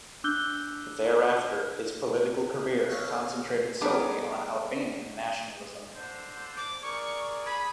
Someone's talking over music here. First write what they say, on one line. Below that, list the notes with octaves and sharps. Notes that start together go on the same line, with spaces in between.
Thereafter his political career concentrated solely on Albanian nationalism.
D4 D6 E6 F#6 G6 G7
F#4 A4 C#5 D#5 F5
G3 B3 D4 D#4 G4 G#4
D3 C5
D6
G#4 A#4 D5 C#6
G#4 B5